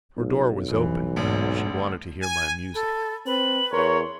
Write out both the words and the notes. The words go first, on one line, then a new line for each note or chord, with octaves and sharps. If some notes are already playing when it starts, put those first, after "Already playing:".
Her door was open: she wanted to hear my music.
B1
F2 E3
G#1 D2 G#2
G#5
A4 B5
C4 B4 F#7
E2 A#4 C#5 C6